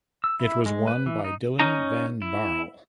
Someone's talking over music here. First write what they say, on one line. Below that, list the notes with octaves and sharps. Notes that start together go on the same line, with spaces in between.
It was won by Dylan van Baarle.
E6
E4
G#3
B4
E3
D#4
C#4 D#4 A#5
E4